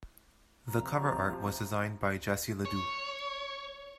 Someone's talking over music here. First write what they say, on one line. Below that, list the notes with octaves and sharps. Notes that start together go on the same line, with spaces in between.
The cover art was designed by Jesse LeDoux.
C3 F3 A#5
C#5